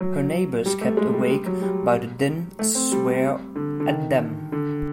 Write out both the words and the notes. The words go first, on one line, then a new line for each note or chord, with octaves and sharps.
Her neighbours, kept awake by the din, swear at them.
F#3
G3
A3
G#3
G3
G3
F#3
G3
A3
C4
G3
D3
D3
D#3
D3